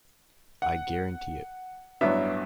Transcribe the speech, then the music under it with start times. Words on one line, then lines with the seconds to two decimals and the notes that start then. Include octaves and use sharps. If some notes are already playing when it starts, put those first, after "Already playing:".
I guarantee it.
0.62 F#5
2.01 A1 G2 F#3 B3 D4 E5